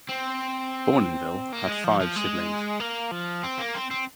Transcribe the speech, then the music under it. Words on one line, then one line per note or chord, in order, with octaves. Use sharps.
Bournonville had five siblings.
C4
A#3
G#3
F3
F3
G#3
A#3
F3
C4
A#3
C4
C4